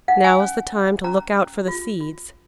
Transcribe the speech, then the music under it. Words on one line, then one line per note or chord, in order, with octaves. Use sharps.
Now is the time to look out for the seeds.
D#4 F#5
G#5
C#4
C#4
C#4 A#5
C#4
F4
F4